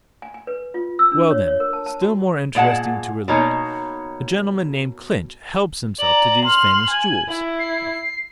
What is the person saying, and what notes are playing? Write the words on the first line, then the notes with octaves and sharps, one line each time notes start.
Well, then, still more interesting to relate, a gentleman named Clinch helps himself to these famous jewels.
G#5
G#5
B4
F4
E6
D4
C#5
C#5
A#4
A5
A5
F#4
A#2 G#3 F#5 A5
B2 A#3 D#4 C#5 A#5
D5 A#5 F#7
C6 F6
G#5
E4
C7